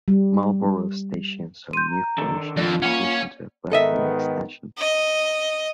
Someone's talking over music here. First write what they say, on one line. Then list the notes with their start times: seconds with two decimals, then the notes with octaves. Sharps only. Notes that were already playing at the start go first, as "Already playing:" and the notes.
Marlborough station saw new furnishings in addition to a platform extension.
0.08 G3
1.73 C6 G6 D#7
1.91 A#5
2.18 D#3 D4 A4
2.57 F2 F4 D5
2.82 A#3 C#4 C#5 F#5
3.72 G#2 D#3 B3 A4 D#5 E5
4.78 D#5